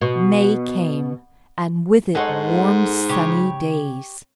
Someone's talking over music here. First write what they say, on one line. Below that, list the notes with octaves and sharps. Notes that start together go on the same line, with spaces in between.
May came, and with it warm sunny days.
B2
G#2 D#4 A4 C5 C#5 F#5 G#5
C#3 G4 C#5